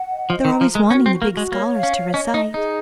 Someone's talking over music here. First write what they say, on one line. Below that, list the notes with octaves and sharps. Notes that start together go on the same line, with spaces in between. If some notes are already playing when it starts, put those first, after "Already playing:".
They're always wanting the big scholars to recite.
Already playing: F#5
D#5
F3 D#5
D#3
A#5
F3
G#3 A#4
C#4 F#4
C4
F#4
A#3
F#4
G#3
A#3 C#5
F5
C#4
C#5
C#4 D#5
D#4 D#5
D#4 G#4